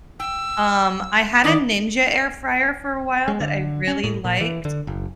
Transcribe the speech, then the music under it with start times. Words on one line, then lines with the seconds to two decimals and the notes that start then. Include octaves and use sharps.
Um, I had a Ninja air fryer for a while that I really liked.
0.20 G5 E6
1.44 D#3 E3 D#4 D5
3.28 G#3
3.40 D3
3.88 C#4
4.04 A2
4.25 A#2
4.41 E3
4.65 D3
4.87 F#1